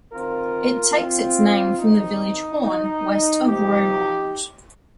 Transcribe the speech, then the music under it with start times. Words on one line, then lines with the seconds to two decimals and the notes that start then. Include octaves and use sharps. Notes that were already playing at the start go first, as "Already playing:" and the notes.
It takes its name from the village Horn, west of Roermond.
0.13 D#3 C4 F4 A#4
0.96 C4 F4
1.79 D#3 C4 D#4
2.62 D#4
3.46 C3 F3 A#3 D#4 G4